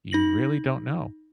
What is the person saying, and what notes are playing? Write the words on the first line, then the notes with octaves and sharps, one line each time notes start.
you really don't know.
D#4 A#6 F#7